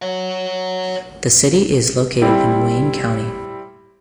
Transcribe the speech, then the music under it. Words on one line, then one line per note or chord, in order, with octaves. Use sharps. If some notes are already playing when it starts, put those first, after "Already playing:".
The city is located in Wayne County.
C#5 F#5
G3 C4 E4